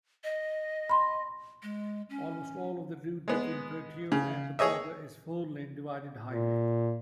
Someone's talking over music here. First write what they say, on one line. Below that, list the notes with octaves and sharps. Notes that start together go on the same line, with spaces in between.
Almost all of the route between Poteau and the border is four-lane divided highway.
D#5
B5 C6
G#3
C#4
G#3 B3
C#3
G#4 C#5 D#5 E5
A#2